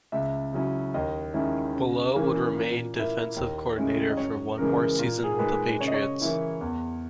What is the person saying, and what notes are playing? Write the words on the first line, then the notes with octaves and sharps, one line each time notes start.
Bullough would remain defensive coordinator for one more season with the Patriots.
C#2 E5
C#3 F#3 C#4 E4
D#2 D#5
D#3 G#3 C#4 E4
C#3
E3 A#3 C#4 E4
A#2
A#3 E4
D#2
C#3 G#3 C#4 E4
D#5
F#2 C#5
C#3 E3 G#3 A#4
B4
A#4
A#2 A#4
G#4
A#4
G#3 D#4 B4
C#3 C#5
D#5
C#5
E3 A#3 E4
E2